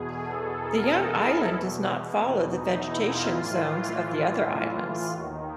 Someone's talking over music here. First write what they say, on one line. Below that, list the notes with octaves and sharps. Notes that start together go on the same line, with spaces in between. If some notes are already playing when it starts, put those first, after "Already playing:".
The young island does not follow the vegetation zones of the other islands.
Already playing: E2 B2 G#4
A4
A#4
A4
E4
E2 B2
D#4
E4
F4
A2 E3 F4
D#2 D#3 F#4